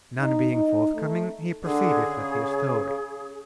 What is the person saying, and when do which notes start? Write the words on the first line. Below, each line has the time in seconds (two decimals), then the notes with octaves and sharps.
None being forthcoming, he proceeded with his story.
0.21 D#4
0.52 D#4
0.96 A3
1.65 D3 G#4
2.07 C#3